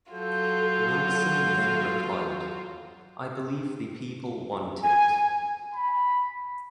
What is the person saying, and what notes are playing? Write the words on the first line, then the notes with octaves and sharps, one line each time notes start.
Wilson then replied, I believe the people want it.
F#3 F4 F#4 A4 G6
G#5
B5